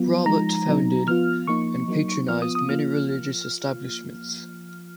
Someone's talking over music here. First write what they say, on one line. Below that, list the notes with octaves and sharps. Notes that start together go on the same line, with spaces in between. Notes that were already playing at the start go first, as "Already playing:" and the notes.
Robert founded and patronised many religious establishments.
Already playing: F#3 B3 F4
F3 G#3 D#4 A#5
B2 F#3 B3 D#4
F3 B3 F4 F6
F3 A#3 D#4 C#6
F#3 A#3 D#4
F3 B3 F4 F6
D#6
D#6
F3 A#3 F4 F6